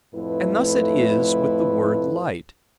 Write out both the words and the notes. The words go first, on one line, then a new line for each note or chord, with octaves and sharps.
And thus it is with the word light.
F2 A2 A3 E4 B4